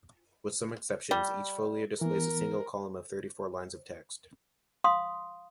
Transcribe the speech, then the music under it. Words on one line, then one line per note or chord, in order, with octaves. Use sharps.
With some exceptions, each folio displays a single column of thirty-four lines of text.
G3
E3 B3 A#4
F5 C6 D#6